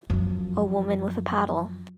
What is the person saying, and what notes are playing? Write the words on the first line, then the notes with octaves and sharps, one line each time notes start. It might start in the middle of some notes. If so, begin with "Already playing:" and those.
A woman with a paddle.
F#2 F3